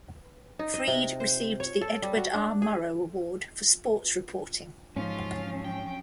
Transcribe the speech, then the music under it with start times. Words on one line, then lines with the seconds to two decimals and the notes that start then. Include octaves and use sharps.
Frede received the Edward R. Murrow Award for Sports Reporting.
0.59 D#4
0.74 D#5
0.87 C3
1.20 C5
1.60 C#5
1.81 A4
2.02 G3
2.16 F#4
2.34 D4
2.62 G#4
4.96 G#2 F3 F#3 C#4 F4
5.65 G5